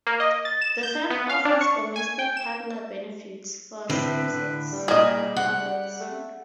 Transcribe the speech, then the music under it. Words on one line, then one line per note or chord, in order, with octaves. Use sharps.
The firm offers domestic partner benefits for same-sex couples.
A#3
D#5
A6
E7
G6
B3
F5
D4
C#6
G#5
G5
E7
A2 D3 C4 E4 B4
D3
G3
A#2 G4 G#4 D5 D#5
F#5
A3